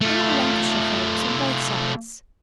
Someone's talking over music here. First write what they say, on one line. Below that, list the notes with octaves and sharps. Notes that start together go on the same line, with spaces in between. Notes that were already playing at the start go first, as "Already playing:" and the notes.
They were all Lancashire folks, on both sides.
A3 F4